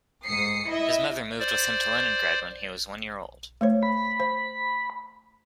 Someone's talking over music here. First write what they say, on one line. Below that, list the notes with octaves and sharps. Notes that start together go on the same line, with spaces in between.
His mother moved with him to Leningrad when he was one year old.
G#2 D#6 C7 C#7
E4 D#5 E5
C5 D5
A3 C5 C#5
B5
C5